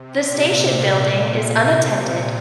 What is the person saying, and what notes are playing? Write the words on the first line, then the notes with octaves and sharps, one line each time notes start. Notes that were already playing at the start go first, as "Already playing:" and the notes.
The station building is unattended.
Already playing: C3
A#2
A#2
A#2
C3